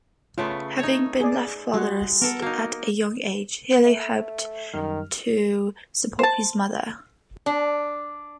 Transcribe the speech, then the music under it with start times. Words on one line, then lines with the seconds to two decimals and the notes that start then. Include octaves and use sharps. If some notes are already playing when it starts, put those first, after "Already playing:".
Having been left fatherless at a young age, Healy helped to support his mother.
0.38 C#3 A3 B3 F4
0.79 D#4 C#5
1.21 G#4 D5
1.73 G3 G#3 F#4 F#5
2.22 B3 A4 A#4
2.42 A#3 D#4 F#4
3.85 A3
4.73 F#2 D#3 G3 F6
6.19 C5 A5
7.46 D4